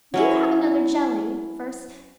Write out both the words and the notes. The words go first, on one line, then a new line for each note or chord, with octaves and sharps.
Do have another jelly first.
F#3 C#4 E4